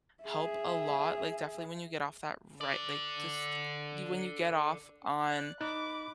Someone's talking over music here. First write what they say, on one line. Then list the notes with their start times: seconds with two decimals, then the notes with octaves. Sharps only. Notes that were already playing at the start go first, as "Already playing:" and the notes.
help a lot, like, definitely when you get off that right like, just you when you get off on
0.23 G#4 E5
2.61 A4 D5
5.27 D5 F#6
5.61 D#4 B5 D6 F#6